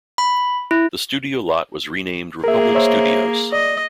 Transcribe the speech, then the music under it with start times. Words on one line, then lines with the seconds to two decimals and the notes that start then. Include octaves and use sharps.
The studio lot was renamed Republic Studios.
0.18 B5
0.71 E4
2.44 A#3 G#4 A#4 E5
2.75 C5 C#5 E5
3.52 D5 D#5